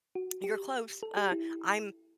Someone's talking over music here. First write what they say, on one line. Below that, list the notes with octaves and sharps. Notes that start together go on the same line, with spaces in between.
You're close. Uh, I'm
F#4
G4
A4
G4
E4